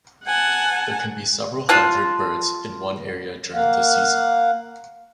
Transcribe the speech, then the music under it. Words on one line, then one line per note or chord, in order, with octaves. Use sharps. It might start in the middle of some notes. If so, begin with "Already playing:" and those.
There can be several hundred birds in one area during this season.
F#5 G#5 A5
F4 A5 F#6
A#3 F5 F#5